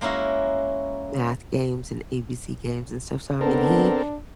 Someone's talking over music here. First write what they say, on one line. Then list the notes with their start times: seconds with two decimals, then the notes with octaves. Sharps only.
math games and ABC games and stuff. So I mean, he
0.01 G#3 A#3 C#4 E4 F#4
3.41 G#2 D3 B3 C4 D4 A4 A#4